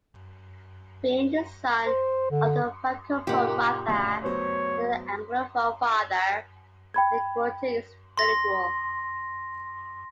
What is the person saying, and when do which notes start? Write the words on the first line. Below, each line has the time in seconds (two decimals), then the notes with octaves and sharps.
Being the son of a Francophone mother and an Anglophone father, McGuinty is bilingual.
1.86 C5
2.31 D3
3.27 A#2 C#3 A#3 D#4 G4 F#5
3.88 D2 C#3
4.24 F#3 B3 C5 C#5
6.94 G5 B5 G#6
8.17 C6 A#6